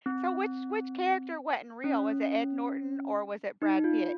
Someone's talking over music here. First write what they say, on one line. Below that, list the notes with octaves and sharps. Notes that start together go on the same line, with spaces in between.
So which which character wasn't real? Was it Ed Norton, or was it Brad Pitt?
C4
C#4
D#4
F4